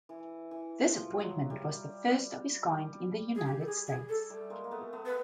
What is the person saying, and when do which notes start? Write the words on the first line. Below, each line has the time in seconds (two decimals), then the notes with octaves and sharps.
This appointment was the first of its kind in the United States.
0.09 E3
0.51 E3
0.93 F3
1.21 F#3
1.50 G3
2.62 G3
3.36 G#4
3.45 G4
3.60 A4
3.66 G#4
3.87 G#4
4.09 A4
4.29 G3 A3
4.50 G#3 A#3
4.64 A#3
4.71 A3 B3
4.93 A3 B3
5.06 B4